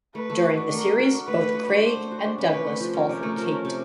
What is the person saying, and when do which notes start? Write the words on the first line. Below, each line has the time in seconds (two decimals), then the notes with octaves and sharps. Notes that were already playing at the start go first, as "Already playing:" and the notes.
During the series, both Craig and Douglas fall for Kate.
0.15 A3 B4
0.30 A3
0.44 F#4
0.57 D4
0.71 A3 A#4
0.86 A3
0.99 F#4
1.13 D4
1.27 A3 B4
1.41 A3
1.54 F#4
1.69 D4
1.83 A3 C5
1.97 A3
2.12 F#4
2.25 D4
2.38 C#4 B4
2.53 C3
2.67 A3
2.80 F3
2.94 C#4 A#4
3.09 C3
3.23 A3
3.37 F3
3.51 C#4
3.65 C3